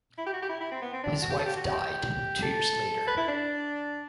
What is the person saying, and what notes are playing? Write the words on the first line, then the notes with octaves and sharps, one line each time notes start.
His wife died two years later.
E4
G4
F#4
G4
E4
E4
C4
B3
C4
D4
F#4
G4
A4
G4
F#4
G4
A4
B4
E4
D4